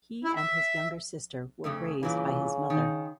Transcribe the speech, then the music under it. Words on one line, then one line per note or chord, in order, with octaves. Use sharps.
He and his younger sister were raised by his mother.
E4
E5
F2 C#3 A3
G2 A#2 C#3 E3
D#3